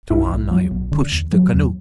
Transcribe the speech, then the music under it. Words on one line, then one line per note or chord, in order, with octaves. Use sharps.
Tuan, I pushed the canoe!
B1 E4
B1
F#3
B1
D3
E2
F#3
E2